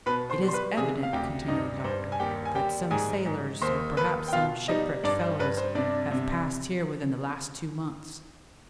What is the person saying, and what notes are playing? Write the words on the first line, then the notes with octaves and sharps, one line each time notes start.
"It is evident," continued the doctor, "that some sailors, or perhaps some shipwrecked fellows, have passed here within the last two months."
B2 B4 B5
C5 C6
G3
C6
B4 B5
C3 G#4 G#5
F5
D2 G4 G5
G2 D#4 D#5
G2 C5
G#5
D#2 G4 G5
G#5
G3 G4 G5
G#2 G#4 G#5
G#2
D#2 C5 C6
D#2 B4 B5
G5
B2 F4 F5
G3 D#4 D#5
G2 D4 D5
C5
G2 B4
C5
C3 D4 D5
C3